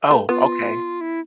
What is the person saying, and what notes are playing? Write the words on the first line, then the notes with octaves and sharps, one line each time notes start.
Oh, okay.
A3
B3 F4
E4